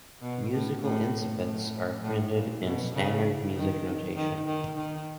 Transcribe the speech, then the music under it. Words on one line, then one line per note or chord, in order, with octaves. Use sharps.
Musical incipits are printed in standard music notation.
B2
A2
A2
A2
A2
A#2
B2
C#3
D#3
D#3
D#3
D#3